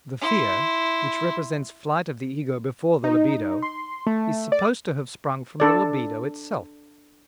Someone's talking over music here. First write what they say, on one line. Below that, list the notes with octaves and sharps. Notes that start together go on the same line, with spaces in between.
The fear, which represents flight of the ego before the libido, is supposed to have sprung from the libido itself.
E4 C6
D#4
C6
A3
D5
D4 A4 D5